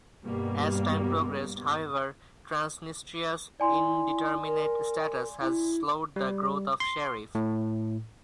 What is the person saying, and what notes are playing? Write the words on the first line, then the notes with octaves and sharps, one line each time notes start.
As time progressed, however, Transnistria's indeterminate status has slowed the growth of Sheriff.
G2 B2 G3 A#3
E4 D5 G#5 C6
A#4
E4
G3
C6
A2